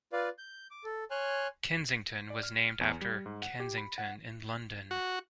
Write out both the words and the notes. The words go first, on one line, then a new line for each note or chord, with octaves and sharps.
Kensington was named after Kensington in London.
F4 B4 D5 F5
G6
D6
A4
C#5 G#5 C6 F6 F#6
D5
F6
C#7
E2
G3
G#2
F#5
G4
B5
F#5
F#4